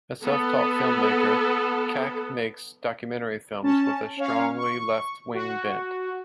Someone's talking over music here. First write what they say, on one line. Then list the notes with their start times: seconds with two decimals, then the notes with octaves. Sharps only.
A self-taught film-maker, Kak makes documentary films with a strongly left-wing bent.
0.23 B3 A4
3.63 C#4 A5
4.17 C#4 C#5 F5
4.56 C#6
5.34 F#4